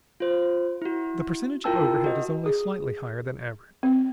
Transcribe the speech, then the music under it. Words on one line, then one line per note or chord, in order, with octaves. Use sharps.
The percentage of overhead is only slightly higher than average.
F4 C5
E4 F#4
E4 F4 A#4 G5 A5 E6
F#4 D#5
G#4
C4